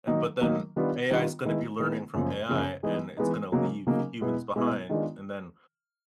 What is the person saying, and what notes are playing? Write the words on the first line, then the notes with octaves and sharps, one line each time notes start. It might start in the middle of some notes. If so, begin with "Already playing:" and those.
And but then AI is gonna be learning from AI and it's gonna leave humans behind. And then,
D#3 F#3 A#3 D#4
D#3 F#3 A#3 D#4
D#3 G3 B3 D4 F4
D#3 G3 B3 D4 F4
D#3 G#3 B3 E4
D#3 G#3 B3 E4
F#2 C#3 F3 A#3
F#2 C#3 F3 A#3
E3 G#3 B3 D#4
E3 G#3 B3 D#4
C#3 F#3 A#3 D#4
C#3 F#3 A#3 D#4
B2 G#3 B3 E4
B2 G#3 B3 E4
D#3 G#3 B3 D4 F4